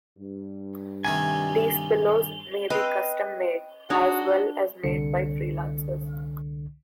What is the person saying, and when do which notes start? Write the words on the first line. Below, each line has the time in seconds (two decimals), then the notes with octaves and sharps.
These pillows may be custom made, as well as made by freelancers.
0.18 G2
1.05 C3 D#3 A3 G#5
2.70 C4 B4 D#5 F5 G5
3.90 D4 D#4 F#4 G#4 C#5
4.84 C2 D3 C#7